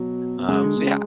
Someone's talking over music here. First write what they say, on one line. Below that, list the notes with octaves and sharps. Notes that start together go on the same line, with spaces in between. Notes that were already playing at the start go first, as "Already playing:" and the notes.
Um, so yeah.
Already playing: B2 F#3
B2
C#3 G#3
D3
B2
C#3